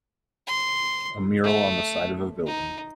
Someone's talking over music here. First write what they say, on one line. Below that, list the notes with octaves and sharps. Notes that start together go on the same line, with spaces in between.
A mural on the side of a building.
C6
A3
D#4